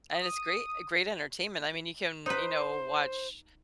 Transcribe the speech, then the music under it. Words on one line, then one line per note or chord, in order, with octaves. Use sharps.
And it's great great entertainment, I mean, you can you know, watch
D#6
D#4 B4 C5